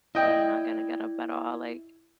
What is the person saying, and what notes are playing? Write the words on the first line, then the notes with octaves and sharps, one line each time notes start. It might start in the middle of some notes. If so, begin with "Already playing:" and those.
I'm not gonna get up at all, like,
E4 D5 D#5 G5